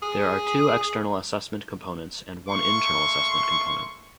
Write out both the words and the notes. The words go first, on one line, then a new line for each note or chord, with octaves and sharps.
There are two external assessment components and one internal assessment component.
G#4
A3 A#3 C6 C#6